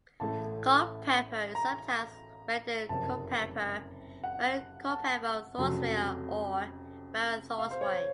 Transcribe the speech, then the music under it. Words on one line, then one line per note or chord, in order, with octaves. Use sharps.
Colepeper is sometimes rendered "Culpeper", Baron Colepeper of Thoresway, or Baron Thoresway.
A1 A2 A3 A5
A#5
F#1 F2 C3 A5
F#5
A5
F1 F2 C#3 F#3 A3
F5
C5
C#5